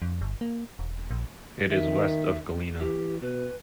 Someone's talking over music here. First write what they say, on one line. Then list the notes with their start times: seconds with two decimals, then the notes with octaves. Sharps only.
It is west of Galena.
0.02 F2
0.21 G1
0.41 A#3
0.79 E1
1.11 A#1
1.70 D#3 E5
2.80 E3 G4
3.22 B2 B4